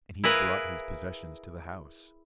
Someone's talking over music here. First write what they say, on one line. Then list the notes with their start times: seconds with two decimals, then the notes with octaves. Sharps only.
And he brought his possessions to the house.
0.24 E4 G#4 A#4 B4 F5